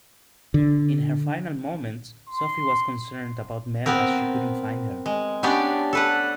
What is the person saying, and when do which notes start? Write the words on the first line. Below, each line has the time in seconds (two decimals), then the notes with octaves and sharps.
In her final moments Sophie was concerned about Mel as she couldn't find her.
0.54 D3
2.28 C6
3.86 B3 C4 A#4
5.06 G#3
5.43 B3 C#4 D4 G4 D5
5.93 A4 B4 F#5